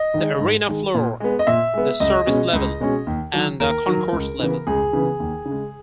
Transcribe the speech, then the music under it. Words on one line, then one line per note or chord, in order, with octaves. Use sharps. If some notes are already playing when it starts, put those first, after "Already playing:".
The arena floor, the service level and the concourse level.
Already playing: D#5
D#3 G#3
G#2
D#3 G#3
A#2
G#3 B3
D#5
A#2 E5
G#3 B3
C#2 D#5
B2 G#3 C#4
C#2
B2 G#3 C#4
D#2
D#3 F#3
D#2 A#4
D#3 F#3
C#2
C#3 E3 B3
C#2 G#4
C#3 E3 B3
D#2
C#3
G#3